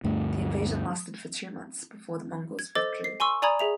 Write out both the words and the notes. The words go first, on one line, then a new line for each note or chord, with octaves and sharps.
The invasion lasted for two months before the Mongols withdrew.
D2 G2 A3
G#6
A4 C5 D#5 D6 A6
C7
G#5 C6 C#6 E6
D5 G#5 A#5 B5 D#6 G#6
G#4 E5 F7